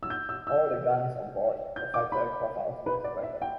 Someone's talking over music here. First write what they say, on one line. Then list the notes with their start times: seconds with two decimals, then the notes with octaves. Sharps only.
All the guns on board the fighter aircraft are automatic weapons.
0.03 E6
0.10 G6
0.29 E6
0.47 E6
1.76 G6
1.94 D6
2.12 B5
2.86 B4
3.04 D5
3.23 E5
3.42 G5